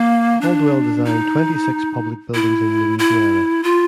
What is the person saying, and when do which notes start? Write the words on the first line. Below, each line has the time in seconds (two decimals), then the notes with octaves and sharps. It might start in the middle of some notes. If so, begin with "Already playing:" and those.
Caldwell designed twenty-six public buildings in Louisiana.
Already playing: A#3
0.41 D4
1.05 D#4
2.34 E4
2.99 E4
3.63 F4